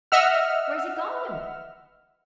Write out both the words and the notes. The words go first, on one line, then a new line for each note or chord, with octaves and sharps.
Where's he gone?
D#5 E5 F#5 E6 F6